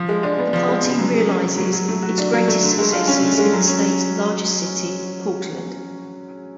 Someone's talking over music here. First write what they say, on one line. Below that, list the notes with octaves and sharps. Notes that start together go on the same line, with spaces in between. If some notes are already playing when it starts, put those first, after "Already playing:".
The party realizes its greatest successes in the state's largest city, Portland.
Already playing: F3
G#3
D4
B3
F3
G#3
C#3
F#3
C#3
C#4
C#3
F#3
F#3
A3
F#4
D4
F#3
A3
D3
G#3
F4
C#4
D3
G#3
F#3
C#4